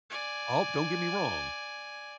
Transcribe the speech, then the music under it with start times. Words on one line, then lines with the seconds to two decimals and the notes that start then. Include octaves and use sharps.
Oh, don't get me wrong,
0.10 D5 G#5